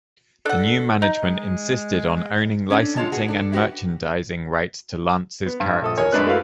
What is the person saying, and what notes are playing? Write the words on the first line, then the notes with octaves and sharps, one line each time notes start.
The new management insisted on owning licensing and merchandising rights to Lantz's characters.
D4 A4 F#5
D#4
G#3
C#4 D4 A4
D3 G#3 F4 C#5 A5
B3 F#4 G#4
D4 A4
E4 F#4 G4 B4 F#5
B3
G2
A#1 A4 D#6
A#4 C#5 G#5
F#2 G#3 D4 B4 F#6
A3 E4 F#4 A#4 B4 F5